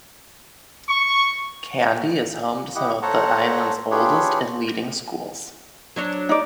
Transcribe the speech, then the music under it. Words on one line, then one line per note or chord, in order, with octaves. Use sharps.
Kandy is home to some of the island's oldest and leading schools.
C#6
E4 G4 D#5 F#5
A4 C5 C#5 F#5 A5 A#5
D4 F4 G4 G#4 B4 C#5
F#3 D4 C#5
D#4 D5